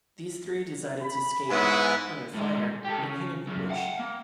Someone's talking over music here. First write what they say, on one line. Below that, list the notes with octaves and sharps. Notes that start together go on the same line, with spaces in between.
These three decided to escape, under fire, and hid in the bush.
B5
G#2 B3 E4 G#4 C#5 G#5
A2 G#3
G4 A4
C#3
F#2 C#3
F5 F#5
A#3